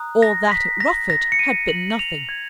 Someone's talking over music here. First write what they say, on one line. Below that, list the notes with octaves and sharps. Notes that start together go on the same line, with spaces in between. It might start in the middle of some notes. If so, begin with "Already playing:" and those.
All that at Rufford had been nothing.
Already playing: A#5 D#6 F#6
A#6
B6
A#6
A#6
C#7
D#7
F#7
F#7
F7
G#6